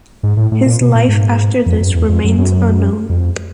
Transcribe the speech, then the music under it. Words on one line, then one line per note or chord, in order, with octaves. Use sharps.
His life after this remains unknown.
G#2
A2
A2
A#2
B2
A#2
G#2
F2
F#2
E2
F2
F#2
F#2
F2